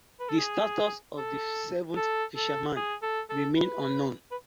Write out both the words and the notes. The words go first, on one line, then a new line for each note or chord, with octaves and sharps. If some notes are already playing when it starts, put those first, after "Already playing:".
The status of the seventh fisherman remained unknown.
B4
A4
G#4
A4
A4
A4
G#4
A4
A4
B4
B4